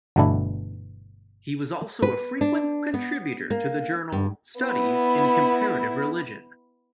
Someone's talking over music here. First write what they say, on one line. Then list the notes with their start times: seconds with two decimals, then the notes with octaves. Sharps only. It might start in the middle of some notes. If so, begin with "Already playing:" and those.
He was also a frequent contributor to the journal "Studies in Comparative Religion".
0.16 G1 B2 E3 A3 D4 E4
2.02 B4
2.41 D4
2.94 B3
3.50 A#3
4.12 G2
4.61 B3 E4